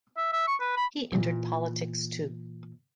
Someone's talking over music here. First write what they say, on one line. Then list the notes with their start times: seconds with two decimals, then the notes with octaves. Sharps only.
He entered politics too.
0.17 E5
0.32 E5
0.48 C#6
0.60 B4
0.77 B5
1.12 A#2 E3